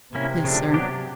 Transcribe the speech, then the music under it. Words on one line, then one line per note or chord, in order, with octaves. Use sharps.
"Yes, sir."
C3 A#3 C#4 E4
C#3 F3 A3 D4
F#3 B3 D4 G4